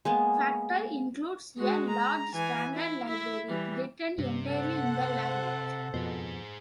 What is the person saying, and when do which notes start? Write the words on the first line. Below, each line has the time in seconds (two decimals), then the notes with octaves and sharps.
Factor includes a large standard library, written entirely in the language.
0.05 G#3 A#3 B3
1.58 G#3 F#4
1.89 A#5
2.34 E3 G#5
2.74 E4
3.08 E4 E5
3.48 E3 G3
4.18 G2 C3
4.48 A4 C5 F#5
5.94 F2 B2 G#4 C5